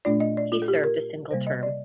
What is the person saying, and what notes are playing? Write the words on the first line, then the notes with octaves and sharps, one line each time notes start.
He served a single term.
A#2 A3 D4 F4 D5
D#5
D5
F4
A4
G4
A#4
C3 G3 A#3 C5
D#5
D5